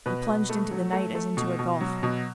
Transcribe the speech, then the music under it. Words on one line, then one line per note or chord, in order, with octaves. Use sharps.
He plunged into the night as into a gulf.
B2 B4
B2
A3
F#3
A3
A3
B2
B2
F#3
B2